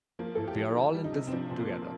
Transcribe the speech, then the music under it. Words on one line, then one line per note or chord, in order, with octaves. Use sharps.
We're all in this together.
F3 A#3
A2 A4
G4
F3
D#3
G3
D#4
C3
C4
F3 D4
A#2 C4
A#3
F3